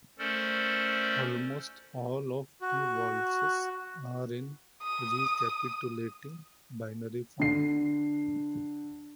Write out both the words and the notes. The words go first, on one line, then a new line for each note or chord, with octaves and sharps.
Almost all of the waltzes are in a recapitulating binary form.
A3 C#4 A4 A#4 C5 D5
F#4
D#6
D3 C7